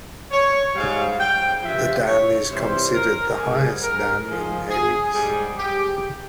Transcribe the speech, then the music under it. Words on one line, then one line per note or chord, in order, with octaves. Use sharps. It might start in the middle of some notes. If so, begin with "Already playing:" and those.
The dam is considered the highest dam in Elis.
C#5
G#2 G3 F5
G5
G2 F3 E5
C#5
C3 E3 G3 C5
A#4
G#2 G3 G#4
A#4
G#2 F3 G#4
G#4
G#2 G3 G#4
G4